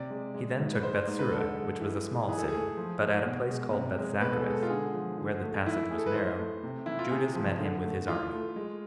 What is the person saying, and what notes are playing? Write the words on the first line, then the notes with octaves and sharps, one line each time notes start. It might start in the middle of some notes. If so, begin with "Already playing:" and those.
He then took Bethsura, which was a small city; but at a place called Bethzacharis, where the passage was narrow, Judas met him with his army.
Already playing: C3 D5
G#3
G#3
G#2
B4
G#3 C5
G#2
B4
D3 A4
G#3
E3
G#3
E3 G#4
A4
A3 G#4
F3
G#3
B2
G#3
C3
G#3
B2 B4
A4
G#4
G#3 A4
F4
D3 G#4
F3
D3
A3
E3 E4
A3 G#4
A4
B4
E3 C5
A3
C3
E3 E4
F4
C3 G#4
F3
D3
A3
E3 F4
A3
G#3